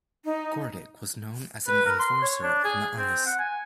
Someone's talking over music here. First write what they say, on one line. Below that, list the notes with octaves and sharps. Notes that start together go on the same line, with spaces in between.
Kordic was known as an enforcer on the ice.
D#4
B4
A#4
C6
C#5
D4
G#4
C4
F#5
G#5